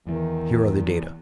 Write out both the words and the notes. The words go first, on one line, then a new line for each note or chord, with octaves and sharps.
Here are the data.
E2 D#3 E3